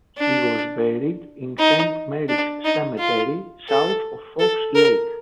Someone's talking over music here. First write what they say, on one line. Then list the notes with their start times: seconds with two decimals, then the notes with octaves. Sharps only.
He was buried in Saint Mary's Cemetery south of Fox Lake.
0.18 D4
1.58 D#4
2.29 D4
2.64 D#4
2.99 F4
3.69 A4
4.39 A4
4.75 A#4